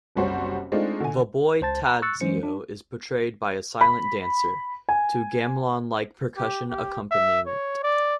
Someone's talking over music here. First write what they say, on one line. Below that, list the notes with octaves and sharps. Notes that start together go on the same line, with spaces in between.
The boy Tadzio is portrayed by a silent dancer, to gamelan-like percussion accompaniment.
F#1 C2 G3 F#4 C5 C#5
G#3 A3 C4 D4 D#4 F4
D3 G#5
C#2 C5 A5 A6
A#5
C#6 E6 F#6 A6 C#7
E3 F#3 G#3 C#4 C5 C#7
D4
B5
G#5
G4
G4
E5
C#5
D5